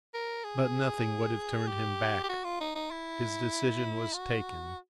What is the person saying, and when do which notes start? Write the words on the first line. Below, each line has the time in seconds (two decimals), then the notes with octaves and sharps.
But nothing would have turned him back: his decision was taken.
0.14 A#4
0.44 G#4
1.68 G4
2.23 G4
2.29 F#4
2.44 F4
2.60 D#4
2.75 D#4
2.91 E4
4.14 F#4